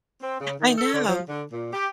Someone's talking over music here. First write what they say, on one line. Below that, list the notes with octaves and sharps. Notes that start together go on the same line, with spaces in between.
I know,
C4
C#3
D#3
A4
D3
F3
D3
A#2
G4